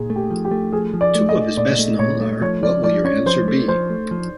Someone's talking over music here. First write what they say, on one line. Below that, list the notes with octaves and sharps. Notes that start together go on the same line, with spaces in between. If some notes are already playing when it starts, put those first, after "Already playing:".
Two of his best known are What Will Your Answer Be?
Already playing: A#2 G#4
A3
G4
F3
G4
A3
F3 G#4
F3
D5
A3
D#5
A3
A#2 D5
A3
A#2 C#5
A3
F3 C#5
F3 D5
F3 D5
C#4 C#5
F3 C5
A3
F3 C5
A3
F3